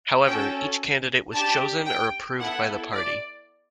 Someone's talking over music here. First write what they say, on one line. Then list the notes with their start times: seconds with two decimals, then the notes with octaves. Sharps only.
However, each candidate was chosen or approved by the Party.
0.25 C#4 F#4 A4 G5
1.32 D4 G4 A5
1.86 G5
2.40 B3 E4 A4 F#5
2.93 D5